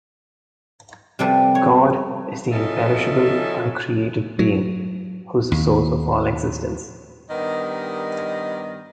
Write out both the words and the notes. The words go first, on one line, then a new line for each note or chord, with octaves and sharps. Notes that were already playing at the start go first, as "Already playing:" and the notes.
God is the imperishable, uncreated being who is the source of all existence.
C3 F3 G3 A4 B4
C#5
F3 G#3 C#4 D#4 A4 E5
F#3
D#2
G2 D#3 G3 B3 A#4 D#5